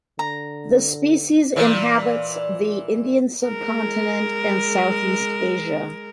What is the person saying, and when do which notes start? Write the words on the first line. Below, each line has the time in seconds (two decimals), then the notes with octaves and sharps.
The species inhabits the Indian subcontinent and Southeast Asia.
0.19 D3 A#5
1.56 A#2 E3 D5
3.45 G#3 A#4